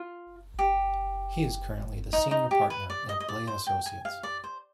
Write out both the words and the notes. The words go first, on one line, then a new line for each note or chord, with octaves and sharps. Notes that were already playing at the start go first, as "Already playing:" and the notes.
He is currently the Senior Partner at Blay and Associates.
Already playing: F4
G4
D#4
D#4
G4
B4
D5
D#5
D#5
D5
C5
G5
G#5
F5
D5
C5